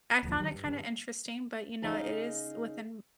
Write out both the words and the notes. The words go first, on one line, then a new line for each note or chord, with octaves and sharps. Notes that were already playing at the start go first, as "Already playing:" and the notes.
I found it kinda interesting, but you know, it is within
F#1 D2 A#2 F3
D#3 F#3 G3
G2
G2 C#3
C#3 D#4 D#5 F5